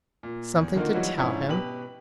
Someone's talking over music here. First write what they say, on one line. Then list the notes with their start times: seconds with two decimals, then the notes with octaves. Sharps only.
"Something to tell him?"
0.23 A#2
0.56 E2
0.75 D3 D#3 A#3 D#4 F4 F#4
0.93 E3 F#3 G3 D#4 F4 F#4
1.17 G#2 F3 C#4 D4 E4
1.49 B2 G4 B4 B5 F#7